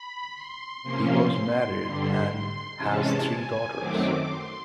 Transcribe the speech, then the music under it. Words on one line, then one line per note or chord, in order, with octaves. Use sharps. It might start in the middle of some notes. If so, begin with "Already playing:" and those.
He was married and has three daughters.
Already playing: B5
C6
C3 F3 A#3 C#4
G2 D3 G3
C6
C3 E3 G#3 C#4 A5
G#5
F#2 D#3 F#3 A3 C4 D6
C6